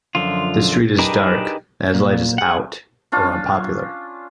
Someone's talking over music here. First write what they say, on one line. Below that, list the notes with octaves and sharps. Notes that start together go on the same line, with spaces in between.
The street is dark, as light is "out", or unpopular.
F#2 D3 F3 F4
D4 D#4 G4 G#4 A#4 B4
A#2
G#4 F#5
C#4 D4 F4